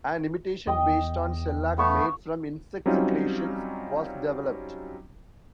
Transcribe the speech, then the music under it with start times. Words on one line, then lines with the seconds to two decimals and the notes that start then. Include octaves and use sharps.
An imitation based on shellac made from insect secretions was developed.
0.67 E2 D#5 G5 D#6
1.78 A3 B3 F5 C#6 E6
2.86 F#3 G3 C4 C#4 D#4 F4